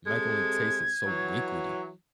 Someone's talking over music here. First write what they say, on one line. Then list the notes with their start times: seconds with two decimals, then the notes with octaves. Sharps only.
macaroni tasted so liquidy.
0.06 C3 G#3 A4 G#6
1.05 E3 F#3